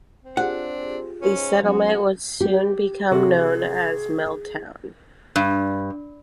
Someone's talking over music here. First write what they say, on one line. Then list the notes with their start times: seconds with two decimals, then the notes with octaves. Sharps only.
The settlement would soon become known as Milltown.
0.24 C4
0.37 C4 D4 F4 G4 G#4 F#5
1.22 A#2 C#4
1.35 G#2
1.63 F#3 B3 C#4 F#4
2.41 G4
3.11 C3 F#4 G#4 A4
5.36 G2